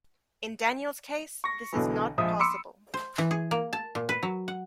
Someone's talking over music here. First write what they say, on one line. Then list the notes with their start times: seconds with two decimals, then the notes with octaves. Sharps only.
In Daniel's case this is not possible.
1.44 C#6 A#6
1.73 B1 B2 D3 E3
2.18 A#1 F3 G#3 E5 D#6
2.39 B5 C6 D6 E6 C#7
2.94 C5
3.18 E3
3.31 G#4
3.51 A#3
3.73 A5
3.95 A#2
4.09 B4
4.23 F#3
4.48 F#5